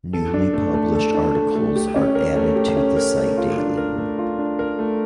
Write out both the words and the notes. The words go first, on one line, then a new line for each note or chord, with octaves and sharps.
Newly published articles are added to the site daily.
A4
D4
A3
A3
A4
D4
A3
A3
G4
C#4
A#4
A3
G4
C#4
A#4
A3
F4
D4
A#4
A3
F4
D4
A#4
A3